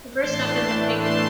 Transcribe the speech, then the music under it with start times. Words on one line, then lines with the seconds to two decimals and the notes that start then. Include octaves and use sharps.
The first step had been taken.
0.19 A2 E3 A3 D4 A5 C6
0.98 A5 C6